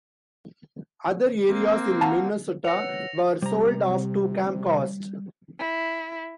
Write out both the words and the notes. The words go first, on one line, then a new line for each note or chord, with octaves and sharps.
Other areas in Minnesota were sold off to Comcast.
A#3 C4
F4 F#4 A5 A#5
B4 C#5 F#5 E6 A#6 C#7 F7
C3 G3 A#5
E4